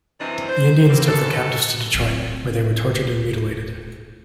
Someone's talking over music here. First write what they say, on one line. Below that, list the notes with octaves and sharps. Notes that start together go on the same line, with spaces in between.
The Indians took their captives to Detroit, where they were tortured and mutilated.
F#2 C3 E3 C4 D4 D#5
C5
G3 A#3 C4
F#2 A4
D1 C4